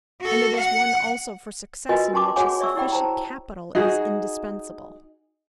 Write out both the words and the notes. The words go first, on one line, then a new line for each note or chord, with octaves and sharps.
And it is one also for success in which a sufficient capital is indispensable.
F#4 A4
F#5
F4 F#4 A#4 B4 D#5 G#5
C#4 G4 A5 C6 D6
F#4 G#4 C#5 F#5 G#5 D6
C#5 D5 E5 C#6 E6
E4 G4 D5 G5 B5
C5 A5 A#5
D#4 F#4 G#4